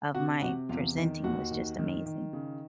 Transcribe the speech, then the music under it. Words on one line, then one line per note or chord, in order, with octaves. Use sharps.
of my presenting was just amazing.
C3 F#4 F#5
C3 F#4 F#5
E2 F4 F5
D#3
D#2 F#4 F#5
D#3
D#3
D#3
C#3